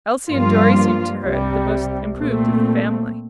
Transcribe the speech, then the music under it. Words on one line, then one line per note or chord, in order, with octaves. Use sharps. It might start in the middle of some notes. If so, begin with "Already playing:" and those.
Elsie and Dorry seemed to her the most improved of the family.
G2 F3 A#3 F4
C2 C3 G3
A#2 A3 C4